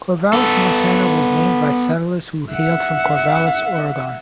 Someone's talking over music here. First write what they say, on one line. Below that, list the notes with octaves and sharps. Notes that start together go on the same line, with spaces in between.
Corvallis, Montana, was named by settlers who hailed from Corvallis, Oregon.
B3 A4
E5 F#5